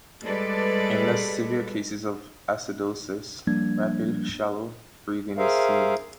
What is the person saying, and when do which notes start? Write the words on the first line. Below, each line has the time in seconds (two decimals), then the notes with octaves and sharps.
In less severe cases of acidosis, rapid, shallow breathing is seen.
0.23 G3 G#3 A4 B4 D5
3.47 F3 G3 A#3 D4 G#6
5.38 G#4 A#4 C5 E5 F5